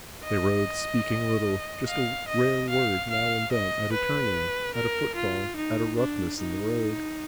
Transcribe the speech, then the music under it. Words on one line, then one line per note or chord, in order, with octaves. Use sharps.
They rode, speaking little, just a rare word now and then, at a turning, at a footfall, at a roughness in the road.
D#5
F5
D#5
F5
F5
D#5
B4
A#4
F4
D#4
D4
D#4